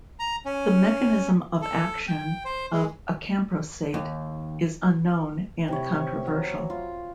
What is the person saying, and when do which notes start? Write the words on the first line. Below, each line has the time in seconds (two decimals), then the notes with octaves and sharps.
The mechanism of action of acamprosate is unknown and controversial.
0.20 A#5
0.46 C#4
1.62 A4
2.08 G5
2.45 C5
2.72 G#3
3.94 D#2
5.68 C3 E4 C#5
6.27 F#3
6.70 F4